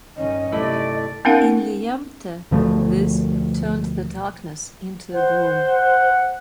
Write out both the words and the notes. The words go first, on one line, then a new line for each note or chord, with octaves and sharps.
In Liempde this turned the darkness into a gloom.
G2 D#3 C#4 D#5
C3 A3 E4 D5
B3 C#4 D#4 A#4 F5 F#5
D2 B2 F3 A3
C5 F#5
F#5